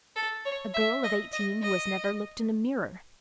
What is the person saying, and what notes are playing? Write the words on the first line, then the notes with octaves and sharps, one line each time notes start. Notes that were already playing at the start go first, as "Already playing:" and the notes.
A girl of eighteen who has never looked in a mirror!
A4
C#5
E5
D#5
D#5
D#5